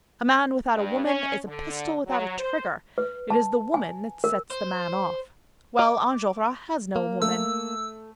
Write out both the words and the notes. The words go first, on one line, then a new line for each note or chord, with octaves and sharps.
A man without a woman is a pistol without a trigger; it is the woman that sets the man off. Well, Enjolras has no woman.
G2
C#4
D3
F#3
C5
B4
A5
G#5
A#4
C5
D#5 D6
A#3
A3 E6